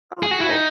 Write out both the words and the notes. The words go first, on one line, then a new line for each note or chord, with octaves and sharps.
Oh, cool.
G#4
F#4
E4
D#4